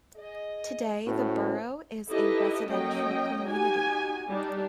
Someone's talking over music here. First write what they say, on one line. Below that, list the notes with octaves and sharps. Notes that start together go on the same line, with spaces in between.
Today the Borough is a residential community.
G#4 D#5
A2 C#4 F#4 B4 C5
D#4 E4 G4 A4 B4 D#5
F#3 A#3 C#4 D#5 G5
D#4 F#4 G4 G#5
G3 D4 D#4 G4